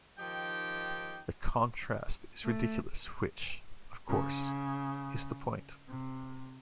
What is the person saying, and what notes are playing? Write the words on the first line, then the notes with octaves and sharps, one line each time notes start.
The contrast is ridiculous which, of course, is the point.
D#3 F3 D#4 G4 G5
A3
C#3
C3